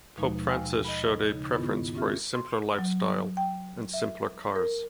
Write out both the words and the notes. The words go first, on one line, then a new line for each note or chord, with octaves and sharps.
Pope Francis showed a preference for a simpler lifestyle and simpler cars.
D#2 B2 F3 G#3 D#4
F5 G5 G#5 E6 F6
D#5 B5
C#3 D#4
G#2 D#3 B3 E4 F4
C4 C#4 F4 G4 E5 F6
C6
F#3
G5
E5
A#4